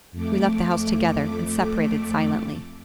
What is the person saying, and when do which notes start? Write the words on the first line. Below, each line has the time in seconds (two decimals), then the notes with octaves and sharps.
We left the house together, and separated silently.
0.11 F2 A3 D6